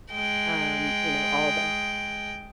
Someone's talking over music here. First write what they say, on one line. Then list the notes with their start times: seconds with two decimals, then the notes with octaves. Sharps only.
um, you know, all the
0.11 G#3 G5